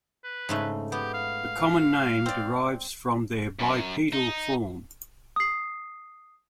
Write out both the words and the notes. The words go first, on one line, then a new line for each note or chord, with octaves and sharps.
The common name derives from their bipedal form.
B4
G#2 C#3 A3
B3 G4
F5
C4 D5
F#2
D#4
D#6 C7